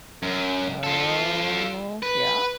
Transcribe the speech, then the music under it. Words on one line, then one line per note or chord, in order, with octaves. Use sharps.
Oh yeah.
F#2
F4 A4
B4